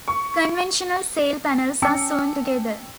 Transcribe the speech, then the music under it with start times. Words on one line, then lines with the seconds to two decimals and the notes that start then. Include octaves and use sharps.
Conventional sail panels are sewn together.
0.08 C#6
1.82 C#4 G5 A5 D6 E6 C#7